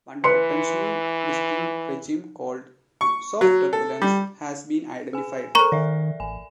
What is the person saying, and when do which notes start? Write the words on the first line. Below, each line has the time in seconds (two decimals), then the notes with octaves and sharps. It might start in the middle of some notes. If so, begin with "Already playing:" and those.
One potentially distinct regime called "soft turbulence" has been identified.
0.24 E3 B4 C6 C#7
3.01 C#6
3.41 F#3
3.73 A4
4.02 G3
5.13 G#4 G#5
5.55 A4 A#4 A#5 C#6
5.72 D#3 D5 E5
6.20 A1 G#5